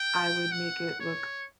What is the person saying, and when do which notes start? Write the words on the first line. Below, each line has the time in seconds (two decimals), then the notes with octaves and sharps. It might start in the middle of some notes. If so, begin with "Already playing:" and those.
I would make it look
Already playing: G5
0.51 F#5
1.00 C#5